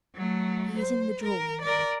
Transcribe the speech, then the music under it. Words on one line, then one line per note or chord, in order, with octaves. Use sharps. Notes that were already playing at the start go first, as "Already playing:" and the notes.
He is in the drawing-room.'
F#3 A3
C5
A#4
A#4 D5